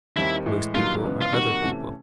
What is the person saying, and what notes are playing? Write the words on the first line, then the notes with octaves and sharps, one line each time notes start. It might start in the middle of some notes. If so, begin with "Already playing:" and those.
Most people are other people.
D#2 D#3 G3 C4 E4
A2 E3 G#3
G2 D#3 F#3 A#3 F4
C#3 E3 G#3 B3
F4
F2 C3 D#3 G3 A#3 F#4
C3 E3 A3 C#4